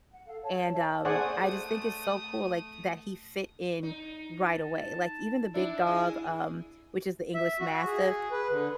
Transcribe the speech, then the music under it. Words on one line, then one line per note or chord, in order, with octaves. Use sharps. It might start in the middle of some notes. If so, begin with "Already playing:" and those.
and, um, I just think it's so cool, like, that he fit in right away. Like, even the big dog, um, which is the English Mastiff,
F#5
A4 F5
C#5 A5
E5 A5
A3 G#4 C5 D5 F#5 G#5 C#6 D#6
D#4
A5
D4 E4
G#4 D#5
E5
F#4
G#4
B4
D3